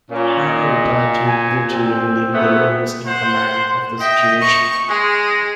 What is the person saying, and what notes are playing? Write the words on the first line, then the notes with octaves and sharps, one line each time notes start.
Hanno retired to Bruttium, leaving the Romans in command of the situation.
A#2 C#4
D#5
G#5
C4
G#2 A3 B3
C5 F#5
D#5 E5 G5
C#6
G#3 G#4